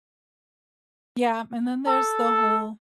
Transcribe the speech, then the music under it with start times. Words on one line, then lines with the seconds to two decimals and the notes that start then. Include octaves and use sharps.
Yeah, and then there's the whole
1.85 A4